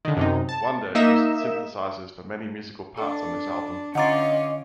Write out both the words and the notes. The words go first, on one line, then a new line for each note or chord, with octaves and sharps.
Wonder used synthesizers for many musical parts on this album.
D3 D#3
F#2 C3 D#4
A5
A#3 D#4 D#5 E5 E7
D4 A4
D3 C#4 F4 D#5 F#5 A#5 D6 A6